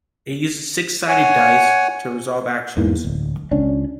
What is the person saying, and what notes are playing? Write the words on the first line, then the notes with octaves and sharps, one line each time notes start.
It uses six-sided dice, to resolve actions.
C#5 F#5 G#5
E2 G#2 E3 A#3
D1
C#2 C#4 D4